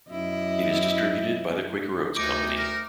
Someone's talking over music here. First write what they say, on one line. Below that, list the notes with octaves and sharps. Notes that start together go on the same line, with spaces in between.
It is distributed by the Quaker Oats Company.
F#2 E4 D#5
D2 G#3 D#4 D6 D7
D#4 A#4